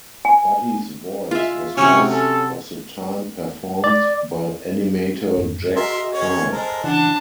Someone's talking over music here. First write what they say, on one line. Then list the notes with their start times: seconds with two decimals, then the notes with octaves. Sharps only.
Buddy's voice was most of the time performed by animator Jack Carr.
0.25 G#5
1.31 G#3 F4 E5
1.77 C3 F#3 C4 C#4 C#6
2.10 C#4 A4
3.84 D5
5.38 F2 G#2
5.76 F#4 G#4 A#4 D#5 E5 C6
6.14 G#3 C#4 C#5
6.52 G#3 A4 A#4 C5
6.84 C#3 E3 D4 F#5 A5